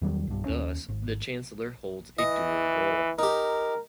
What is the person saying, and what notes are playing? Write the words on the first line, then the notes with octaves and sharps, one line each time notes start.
Thus, the chancellor holds a dual role.
E2 D#3 F#3 G3
B1 G2
D#2 C#4
G#1
E3 D#5
D#4 G4 A#4